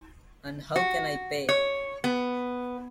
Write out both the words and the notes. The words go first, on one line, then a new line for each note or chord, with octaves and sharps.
And how can I pay?
F#4
C#5
B3